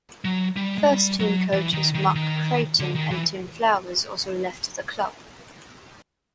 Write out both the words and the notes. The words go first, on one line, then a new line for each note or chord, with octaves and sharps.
First team coaches Mark Creighton and Tim Flowers also left the club.
F#3
G3
G#3
G3
F#3
E3
D#3
D#3
D#3
D3
D#3
E3